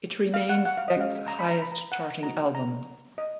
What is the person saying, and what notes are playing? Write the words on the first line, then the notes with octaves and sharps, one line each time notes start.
It remains Beck's highest-charting album.
F5
F#5
F#5
F5
D#5
G#3 C#4 F#4 F5
A#5
B5
A#5
B5
A#5
F#5
A#3 D#4 F#4 A#5
A#5
D#5